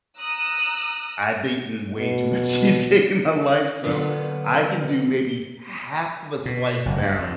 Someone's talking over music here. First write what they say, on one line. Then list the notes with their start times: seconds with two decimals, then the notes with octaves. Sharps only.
I've eaten way too much cheesecake in my life, so I can do maybe half of a slice now,
0.18 A#5 D#6 E6 F#6
1.98 B2
3.83 D3 F#3 B3 D4 F4 C#5
6.46 B2
6.86 F#1
7.02 G2
7.19 F2